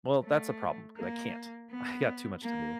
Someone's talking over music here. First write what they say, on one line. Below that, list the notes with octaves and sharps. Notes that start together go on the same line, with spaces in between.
Well, that's a problem 'cause I can't. I got too much to do.
A3
A#3
B3
A#3